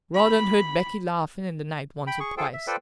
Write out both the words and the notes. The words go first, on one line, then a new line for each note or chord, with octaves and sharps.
Rawdon heard Becky laughing in the night once or twice.
B5
G5 B5
G#4 C#6
F4 G#4 A4 C5 G5
E5
F4 A4 B4 C5 D5 G5